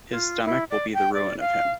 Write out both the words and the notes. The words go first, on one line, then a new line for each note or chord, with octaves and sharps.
His stomach will be the ruin of him.
F4
E4
D5
G5
D5
F5